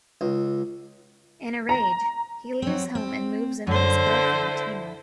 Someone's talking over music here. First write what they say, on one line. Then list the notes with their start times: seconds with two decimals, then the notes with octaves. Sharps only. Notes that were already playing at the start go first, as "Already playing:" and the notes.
In a rage, he leaves home and moves in with his girlfriend Tina.
0.21 C#2
1.69 A#5
2.62 F#3 C4
2.95 C4
3.67 F#2 D3 C5
4.06 E4